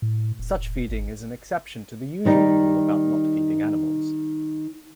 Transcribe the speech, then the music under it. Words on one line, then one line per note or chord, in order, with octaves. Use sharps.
Such feeding is an exception to the usual rule about not feeding animals.
A2
E1
G#1
D#3 G3 D#4